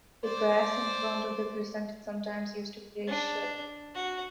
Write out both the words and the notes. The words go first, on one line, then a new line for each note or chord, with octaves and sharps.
The grass in front of the crescent is sometimes used to graze sheep.
C5 D5
D4
F#4